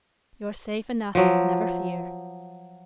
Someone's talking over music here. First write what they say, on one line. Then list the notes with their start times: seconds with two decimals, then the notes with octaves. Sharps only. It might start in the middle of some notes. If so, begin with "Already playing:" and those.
"You're safe enough, never fear."
1.15 F3 F#3